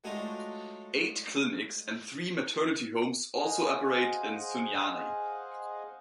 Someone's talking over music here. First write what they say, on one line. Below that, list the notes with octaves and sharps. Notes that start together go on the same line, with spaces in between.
Eight clinics and three maternity homes also operate in Sunyani.
F#3 G#3 A3 D4 D#4 F4
G#4 C5 D#5 F5 F#5 G#5